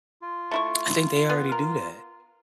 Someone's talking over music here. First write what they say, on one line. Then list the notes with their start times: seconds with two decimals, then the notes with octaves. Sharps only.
I think they already do that.
0.22 F4
0.51 A3 E4 C#6
1.30 B3
1.52 A#4